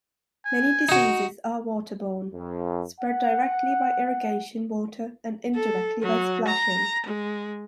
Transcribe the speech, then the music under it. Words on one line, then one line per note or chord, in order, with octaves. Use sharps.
Many diseases are waterborne, spread directly by irrigation water and indirectly by splashing.
G#5
D#4 F#4
F2
F#5
A4
F#3
A#5
G#3